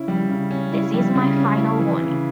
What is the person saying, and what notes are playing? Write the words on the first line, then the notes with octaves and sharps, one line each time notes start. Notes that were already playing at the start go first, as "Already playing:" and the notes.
This is my final warning!
Already playing: C#3 C#4 E4
G3
C#3
C#4
E4
G3
C#3
C#4
E4
E3
C#3